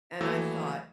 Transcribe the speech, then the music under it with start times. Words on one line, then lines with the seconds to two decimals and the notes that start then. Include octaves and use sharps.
And I thought,
0.21 D#2 E3 F#3 A3 E4 E6